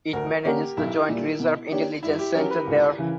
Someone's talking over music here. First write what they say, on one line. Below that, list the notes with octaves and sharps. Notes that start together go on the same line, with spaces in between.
It manages the Joint Reserve Intelligence Center there.
D2 A#4
D3 A#3 C#4 G4
B1 E4
A#2 G3
B2
A#3 D4 G4 C#5
G2 E4
G4
F#3 C#4 A#4
B4
C#2
C#3 E3